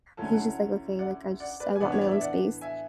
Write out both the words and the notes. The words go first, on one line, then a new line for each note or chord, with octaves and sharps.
he's just like, "Okay, like, I just I want my own space,"
D2 D3 F#3 C#4 E4 A5
G#5
F#5 A5
D5 F#5
D5 F#5
B4 D5
G#5
A2 E3 B3 D4 D5 F#5
C#5
D5
E5
D5 F#5
E5 G#5